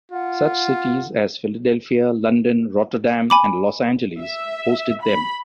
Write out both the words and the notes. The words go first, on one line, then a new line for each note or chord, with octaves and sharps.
Such cities as Philadelphia, London, Rotterdam and Los Angeles hosted them.
F4 F#5
G#5 B5 D6
E5
B5